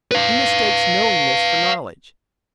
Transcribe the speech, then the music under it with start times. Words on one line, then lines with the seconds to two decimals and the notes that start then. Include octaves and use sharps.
He mistakes knowingness for knowledge.
0.11 B4 F5